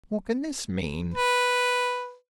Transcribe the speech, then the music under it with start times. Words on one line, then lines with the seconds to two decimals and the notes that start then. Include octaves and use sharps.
"What can this mean?"
1.14 B4